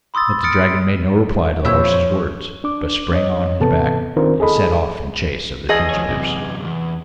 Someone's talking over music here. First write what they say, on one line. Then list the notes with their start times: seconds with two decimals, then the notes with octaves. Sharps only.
But the dragon made no reply to the horse's words, but sprang on his back and set off in chase of the fugitives.
0.14 B5 C6 D#6 E6 A6
0.43 D#6 F6 A6 C#7 D7
1.65 F2 A#2 F3 E4 C#5 E6 G6
2.64 D4 D6
3.11 C#4 C#5 D#5
3.60 G#2 C3 E3 B3 A4 A5
4.17 D#3 C4 D4 F4 A#4 C5
4.40 G#4 A4 D#5 B5
5.69 E2 G#4 D#5
5.90 F3 C#5
6.07 F#2 C3
6.65 E2